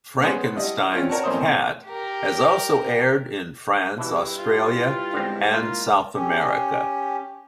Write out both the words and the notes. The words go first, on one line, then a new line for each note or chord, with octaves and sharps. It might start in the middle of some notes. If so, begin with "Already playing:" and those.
Frankenstein's Cat has also aired in France, Australia and South America.
B3 C#4 G#4 B4 C5
G3 D4 E4 D#5 F#5
C4 C#4 F4
A#4 C#5 F#5 A5
E2 A2 C4 C5 D#5 D#6
G4 A#4
G2 B2 E3 E4
F4
E4
D3 G#3 B3 C4 E4
A#3 F4
C#4 G4